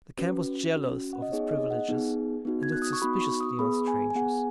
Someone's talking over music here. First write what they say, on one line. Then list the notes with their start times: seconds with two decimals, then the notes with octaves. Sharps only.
The camp was jealous of its privileges and looked suspiciously on strangers.
0.18 C#4 F#4 B4
0.76 C#4 F#4
1.13 F#5
1.22 D#5
1.32 B3 D#4 G#4 C#5
1.51 D#5
1.71 F#5
1.89 B3 D#4 G#4
2.45 B3 D#4 F#4
2.63 G#6
2.72 F#6
2.82 D#6
2.93 C#6
3.02 B3 D#4 F#4 B5
3.21 C#6
3.41 D#6
3.59 B3 G#4 B5
3.88 G#5
4.10 G#5
4.15 B3 G#4 F#5